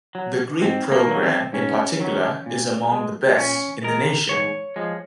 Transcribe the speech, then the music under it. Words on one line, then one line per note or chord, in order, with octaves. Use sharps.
The Greek program, in particular, is among the best in the nation.
F#3
G#2 C4
A#3
D#3 F#3
C4
G#2 C#4
D#3 F#3
A#2
G#3
A#2 C#4
G#3 A#4
G#2 C#5
F3 G#3